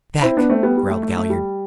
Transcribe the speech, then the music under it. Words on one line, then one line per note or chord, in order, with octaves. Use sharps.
"Back!" growled Galliard.
C4 E4
B3 D4
A3 C4
G3 B3
G3
A3
A3
A3
G3